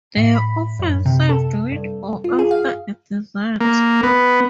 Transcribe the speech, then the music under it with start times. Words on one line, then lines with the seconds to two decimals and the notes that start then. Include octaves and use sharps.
They are often served with or after a dessert.
0.17 A2
0.35 B5
0.79 F#2
1.06 C3
1.29 A4
1.72 G2
2.24 F4
2.39 G#4
2.51 F5
3.61 A#3
4.03 B3